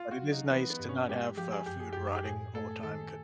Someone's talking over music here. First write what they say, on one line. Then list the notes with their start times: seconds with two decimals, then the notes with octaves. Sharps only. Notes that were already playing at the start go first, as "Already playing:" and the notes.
But, it is nice to not have, uh, food rotting all the time, 'cause
Already playing: F4
0.11 F#4
0.21 F#3
0.31 D#4
0.50 E3 B3
0.70 B3
0.79 G2
0.89 C#4
1.09 G#3 G4
1.37 F3 G4
1.52 G#4
1.66 F#2 G4
1.80 G#4
1.93 F#2 G4
2.16 G4
2.25 A2 G#4
2.54 A3 A4
2.83 D#3 A4